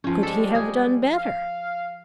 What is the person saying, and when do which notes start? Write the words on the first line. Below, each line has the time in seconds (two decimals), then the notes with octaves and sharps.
Could he have done better?
0.04 F3 C#4
0.23 G3 G#3 A4
0.55 G#4
1.18 F5